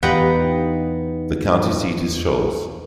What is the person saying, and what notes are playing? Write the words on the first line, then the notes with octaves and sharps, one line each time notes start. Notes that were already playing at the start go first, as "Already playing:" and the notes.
The county seat is Shoals.
E2 B3 D#4 F4 G4 F#5 G5